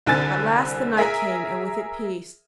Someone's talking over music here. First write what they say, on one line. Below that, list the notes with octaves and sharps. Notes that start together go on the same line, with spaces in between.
At last the night came, and with it peace.
C2 D3 C4 G#5 A6
G#4 A#4 E5 G#5